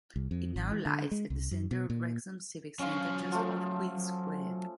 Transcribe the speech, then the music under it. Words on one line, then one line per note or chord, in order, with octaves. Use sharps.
It now lies at the centre of Wrexham's civic centre just off Queens Square.
C2
F2
G#1
E3
D3
G#3
C2
F#2
B2
A#2
F#3 C#4 F4 F5 C#6
F3 A3